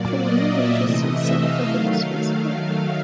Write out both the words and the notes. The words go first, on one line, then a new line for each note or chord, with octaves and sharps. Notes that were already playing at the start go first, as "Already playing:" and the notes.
For longer ranges see sub-orbital spaceflight.
Already playing: A#2 F#3 A#3 D5
D#5
E5
C3 E3 A3 D#5
E5
F5
D#3 F#3 A3